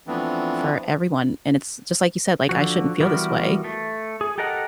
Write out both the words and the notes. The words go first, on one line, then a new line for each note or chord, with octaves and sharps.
for everyone, and it's just like you said, like, I shouldn't feel this way,
E3 F3 A3 B3 C4 D4
D3 F3 F#4
E3 G3 B3 F#4 A#4
A3
G#4
G4 A4 A#4 D#5 F#5